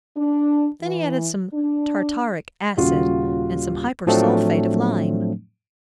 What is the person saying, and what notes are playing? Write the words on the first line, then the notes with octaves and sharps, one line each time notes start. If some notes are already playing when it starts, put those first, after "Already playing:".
Then he added some tartaric acid and some hypersulphate of lime.
D4
E3
D4
D#1 C#3 F4 F#4
A2 F3 F#3 A3 C4 D4